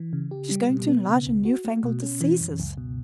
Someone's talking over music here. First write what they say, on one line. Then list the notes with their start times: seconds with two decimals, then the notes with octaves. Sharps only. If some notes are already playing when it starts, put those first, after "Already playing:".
She is going to enlarge on new-fangled diseases.
Already playing: E3
0.13 C#3
0.31 G4
0.51 G3
0.69 B2
0.88 B3
1.07 C#3
1.26 C#2
1.45 F#4
1.65 A3
1.83 B2
2.02 C#4
2.21 E3
2.40 F#2
2.60 C#2
2.77 B2